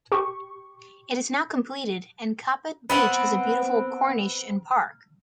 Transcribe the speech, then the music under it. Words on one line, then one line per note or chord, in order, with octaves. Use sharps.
It is now completed and Kappad beach has a beautiful corniche and park.
G4 C#6
B3 C4 F#5